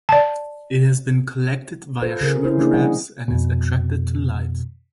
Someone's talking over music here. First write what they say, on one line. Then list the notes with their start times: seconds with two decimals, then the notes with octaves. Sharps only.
It has been collected via sugar traps and is attracted to light.
0.09 D5 A5
2.02 F4 A4 B4 C5
2.21 C#3 G#4 A#4
2.44 C4 C#4 E4 C5
2.58 E3 G#3 A#3 D4 E4 G#4
2.73 B2 F3 G3 G#4 D#5 F#5
3.28 F2 B2